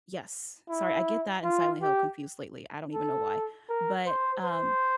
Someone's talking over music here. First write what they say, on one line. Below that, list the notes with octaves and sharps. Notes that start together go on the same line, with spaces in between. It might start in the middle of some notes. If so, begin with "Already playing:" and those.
Yes. Sorry, I get that and Silent Hill confused lately, I don't even know why. But, um,
E4
F4
G4
A4
A#4
C5
C5